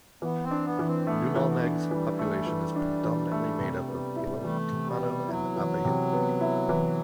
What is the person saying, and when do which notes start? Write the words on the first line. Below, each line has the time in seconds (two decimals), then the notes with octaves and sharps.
Dumalneg's population is predominantly made up of Ilocano and Apayao people.
0.22 E3 B3
0.43 C4
0.51 D4
0.65 B3
0.79 E3
0.86 C4
1.07 A3 B3
1.35 E3
1.49 B3
1.63 D4
1.91 E3 G3
2.19 A3
2.47 E3
2.76 D4
3.04 E3
3.32 A3
3.60 C3
3.88 B3
4.16 E4
4.44 E3 A3
4.72 C3
4.86 G3
5.01 B3
5.28 F#3 E4
5.56 E3
5.84 C3
6.13 B3
6.41 E4
6.69 E3